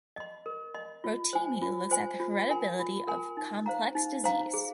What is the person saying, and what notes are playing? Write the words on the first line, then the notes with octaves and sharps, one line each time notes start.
Rotimi looks at the heritability of complex disease.
D#5 C6
A#4
D#5 C6
F4
C5 G#5
F4
C5 G#5
F4
A#4 G#5 C6
F4
A#4 G#5 C6
D#4
C5 F5 A#5
D#4
C5 F5 A#5
G#4